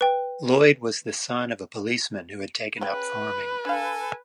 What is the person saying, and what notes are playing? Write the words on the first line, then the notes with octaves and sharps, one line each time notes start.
Lloyd was the son of a policeman who had taken up farming.
B4 G5
C#3 C#4 B4 G5
D4 A4 F5 G#5